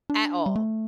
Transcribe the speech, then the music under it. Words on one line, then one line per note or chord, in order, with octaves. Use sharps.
at all.
D4
G3
A3